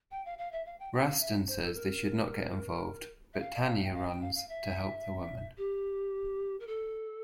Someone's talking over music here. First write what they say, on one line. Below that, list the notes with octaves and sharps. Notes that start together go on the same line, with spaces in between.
Rastenn says they should not get involved, but Tannier runs to help the woman.
G5
F5
F5
E5
F5
G5
G5
F5
E5
C5
A4
A#4
E5
F5
G5
F5
G5
F5
F5
E5
G4
A#4
A4